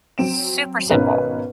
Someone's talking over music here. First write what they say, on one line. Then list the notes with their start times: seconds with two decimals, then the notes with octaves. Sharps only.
super simple.
0.18 F#3 C4 D7 E7
0.90 G#1 B2 C#4 D#4 A#4 B4